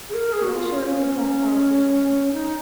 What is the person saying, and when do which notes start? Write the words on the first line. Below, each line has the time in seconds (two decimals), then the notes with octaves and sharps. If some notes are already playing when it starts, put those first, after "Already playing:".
The Usher of the Black Rod retired.
0.09 G#4
0.14 A#4
0.33 G#4
0.42 F#4
0.54 F4
0.83 C#4
2.33 D#4